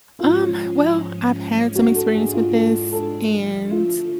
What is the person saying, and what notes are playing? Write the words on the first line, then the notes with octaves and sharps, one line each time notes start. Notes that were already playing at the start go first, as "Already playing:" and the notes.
Um, well, I've had some experience with this. And
G#2 F3 G#3 C#4 F4
G#2 G#3 D4 F#4
A4
G#4
F4
A4
A4
D3 F3 A3
F4